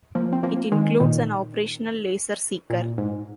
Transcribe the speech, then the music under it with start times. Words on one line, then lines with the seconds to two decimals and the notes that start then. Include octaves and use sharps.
It includes an operational laser seeker.
0.15 F3 A#3
0.33 C4
0.43 F3 A#3
0.72 D#3 G#3
1.00 A#2 D#3
2.70 A#2
2.98 G#2